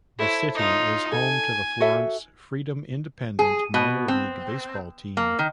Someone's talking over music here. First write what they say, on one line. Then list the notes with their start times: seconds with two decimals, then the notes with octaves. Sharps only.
The city is home to the Florence Freedom independent minor league baseball team.
0.19 E4 A4 C5 C#5
0.55 D#4 F4
1.12 A4 G#5
1.80 F#4 A4 E5
3.39 G#4
3.74 B2
4.08 C4
5.17 A#3
5.39 D#3